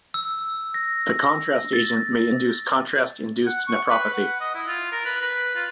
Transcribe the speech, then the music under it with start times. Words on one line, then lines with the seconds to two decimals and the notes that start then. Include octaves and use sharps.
The contrast agent may induce contrast-induced nephropathy.
0.14 E6
0.74 A#6
1.73 A6
3.47 F#5
3.67 C#6
3.90 B4
4.14 F#5
4.41 D#5
4.55 E4
4.68 F4
4.92 A#4
5.06 B4
5.22 B4
5.56 F4